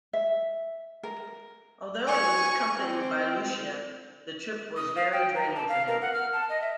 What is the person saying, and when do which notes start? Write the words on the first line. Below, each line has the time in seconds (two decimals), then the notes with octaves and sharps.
Although he was accompanied by Lucia, the trip was very draining for him.
0.13 E5
1.03 A#4
2.07 G#5 C#6
2.77 C4
4.77 D#6
4.96 F5
5.13 G5
5.35 A#5
5.56 A5
5.69 F5
5.88 A#4
6.02 F#5
6.14 F6
6.33 A5
6.49 D#5
6.61 E5